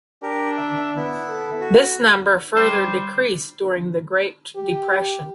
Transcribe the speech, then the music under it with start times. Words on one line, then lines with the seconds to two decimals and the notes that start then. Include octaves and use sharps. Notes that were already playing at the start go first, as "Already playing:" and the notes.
This number further decreased during the Great Depression.
0.23 D4 G4 A#4
0.57 E5
0.96 B3 E4
1.28 A4
1.61 F#4
2.57 G3 C5
4.56 G4